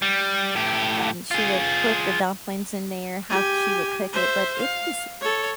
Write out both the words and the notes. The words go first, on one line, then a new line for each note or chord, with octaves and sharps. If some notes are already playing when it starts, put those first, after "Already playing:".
and she would put the dumplings in there how she would cook it but it is, uh,
G3
A2 G4
F4 G#4
G4 G#5
C5 E5
F5
A4 C#5